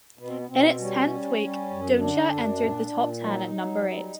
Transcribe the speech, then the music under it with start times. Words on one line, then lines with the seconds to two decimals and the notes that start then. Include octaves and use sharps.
In its tenth week, "Don't Cha" entered the top ten at number eight.
0.18 B2 B3
0.27 C4
0.36 B3
0.49 B2 C4
0.79 G3 C#4
1.09 G3
1.40 G3
1.70 F#2
2.00 D3 D4
2.30 F#2
2.61 A#2
2.91 A#2
3.22 F#3 D#4
3.52 F#3
3.82 G3